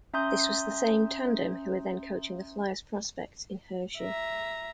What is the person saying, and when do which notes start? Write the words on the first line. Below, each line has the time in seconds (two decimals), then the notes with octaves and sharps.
This was the same tandem who were then coaching the Flyers' prospects in Hershey.
0.14 C#4 E5 A#5 C6 D#6 G6
3.99 E5 A#5